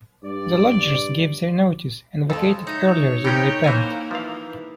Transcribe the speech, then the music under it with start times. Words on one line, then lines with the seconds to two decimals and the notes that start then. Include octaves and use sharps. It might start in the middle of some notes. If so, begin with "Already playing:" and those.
The lodgers gave their notice and vacated earlier than they planned.
0.23 G2 D5
2.30 F2 C#3 G#3 A4
2.67 D#4 C#5 E5
3.24 E3 B3 C#4 D#4 A#4 G5
3.64 E3 A#3 E4 A#4 C5 G#5
4.11 E3 F3 F5